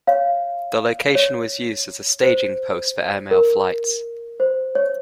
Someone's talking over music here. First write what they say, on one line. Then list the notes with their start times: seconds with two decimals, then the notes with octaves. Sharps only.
The location was used as a staging post for airmail flights.
0.07 C#5 F5
1.15 C#5
2.23 C5
3.31 A#4
4.40 C5
4.75 C#5